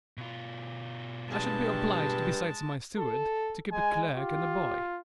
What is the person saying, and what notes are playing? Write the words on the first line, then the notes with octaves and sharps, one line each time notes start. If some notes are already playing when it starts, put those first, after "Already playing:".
I should be obliged, besides my steward, to keep a clerk and a boy.
B2 F4
G2 G#3 A5
A4
G#3 G#5
F4 G4